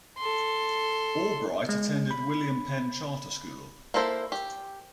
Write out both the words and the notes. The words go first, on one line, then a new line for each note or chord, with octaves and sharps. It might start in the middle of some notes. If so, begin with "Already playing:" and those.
Albright attended William Penn Charter School.
A4 C6
G#3
B5
A#3 E4 A4 C5
G4